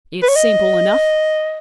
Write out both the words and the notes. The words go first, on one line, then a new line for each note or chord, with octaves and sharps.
It's simple enough.
B4
C#5
D#5